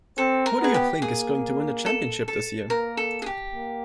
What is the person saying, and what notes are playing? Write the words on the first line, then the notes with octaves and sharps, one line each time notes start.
Who do you think's going to win the championship this year?
C4 A4
A#4
B3 G#4
G4
A#3 G#4
A4
A4
A#3 A#4
A4
G#4
G4
A#3